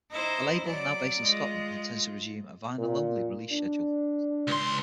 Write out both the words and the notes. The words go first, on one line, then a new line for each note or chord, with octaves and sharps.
The label, now based in Scotland, intends to resume a vinyl-only release schedule.
D#4 E4 C5
F#3 D5
G#3 F4
A#2
D4
C#2 C6